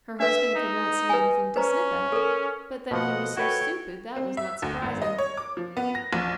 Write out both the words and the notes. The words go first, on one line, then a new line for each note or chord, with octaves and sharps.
Her husband could not see anything to snip at; but then he was so stupid that was not surprising!
D4 B4 E5
D#4
B4 G#5
C#4 B4 C5 A#5
A4 A#4
B2 F3 D#5 F#5
F#4 A4 B4 C#5 G5
C4
E5
D2
G#1
D#5
C#5
D6
F3
B3
A#6
A#1